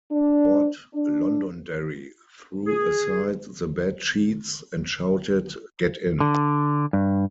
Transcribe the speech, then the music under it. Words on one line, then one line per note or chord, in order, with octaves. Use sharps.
Lord Londonderry threw aside the bed-sheets and shouted, Get in.
D4
D4
G#4
D3
G2